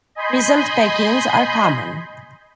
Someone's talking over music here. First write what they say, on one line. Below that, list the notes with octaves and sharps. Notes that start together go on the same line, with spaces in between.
Frizzled Pekins are common.
D#5 G#5 B5 C6 G6